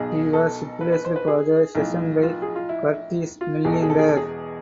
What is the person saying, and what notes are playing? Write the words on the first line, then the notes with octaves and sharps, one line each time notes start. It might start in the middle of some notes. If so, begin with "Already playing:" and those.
He was replaced for the season by Curtis Millender.
Already playing: B1 B2 G#4
A4
B4
B4
C5
B4
G#4
B1 A2 F3
F4
G#4
F4
E4
F4
E1 E2 B2 G#4
A4
G#4
A4
G#4
A4
G#4